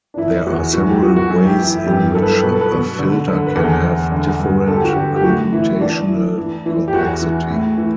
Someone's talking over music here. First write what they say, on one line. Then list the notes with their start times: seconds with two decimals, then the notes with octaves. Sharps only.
There are several ways in which a filter can have different computational complexity.
0.14 D4
0.17 E3 E4
0.46 E2 F#4
0.74 F#2 F#4
0.88 G4
1.02 E3 F#4
1.16 F#4
1.31 F#2
1.45 G4
1.58 E3
1.73 E4
1.87 G2 G4
2.15 G2 A4
2.22 B4
2.30 A4
2.42 B2 B4
2.52 A4
2.61 B4
2.71 B2
2.99 D3
3.28 D3
3.46 B4
3.55 E2 A4
3.84 E2
4.12 D3
4.39 G2
4.68 D3 A4
4.75 G4
4.84 F#4
4.92 D3 G4
5.16 G4
5.24 A2 F#4
5.53 E3 E4
5.81 E3 D4
6.09 E3
6.37 E3
6.66 E3
6.88 G4
6.93 E2 F#4
7.21 E3
7.50 A2
7.78 E3